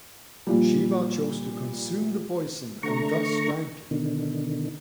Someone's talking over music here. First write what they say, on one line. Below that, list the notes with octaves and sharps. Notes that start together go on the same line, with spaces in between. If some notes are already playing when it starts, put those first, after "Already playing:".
Shiva chose to consume the poison and thus drank it.
A#2 F3 G3
D3 A3 A#5 C#6
B2 D3 D#3